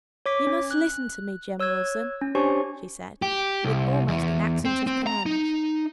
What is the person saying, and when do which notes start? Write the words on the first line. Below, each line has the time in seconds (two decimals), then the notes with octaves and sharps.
"You must listen to me, Jem Wilson," she said, with almost an accent of command.
0.26 C#5 D6 B6
0.47 C#4
0.71 F#6
1.60 C#5 E6 F#6 G#6
2.21 C#4
2.35 D4 G4 C5 C#5 G#5 C#6
3.22 G4
3.64 C2
4.08 E2
4.65 C4
4.87 C4
5.07 A#5
5.26 D#4